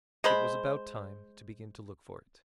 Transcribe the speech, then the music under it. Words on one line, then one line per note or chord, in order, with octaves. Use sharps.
It was about time to begin to look for it.
G#3 C5 B5